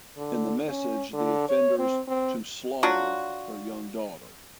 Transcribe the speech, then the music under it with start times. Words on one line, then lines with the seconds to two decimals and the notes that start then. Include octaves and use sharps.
In the message the offenders to "slaughter" her young daughter.
0.17 D3
0.68 C#4
1.14 D3
1.49 C#5
1.79 C4
2.08 C4
2.83 F#3 D4 F4 F#4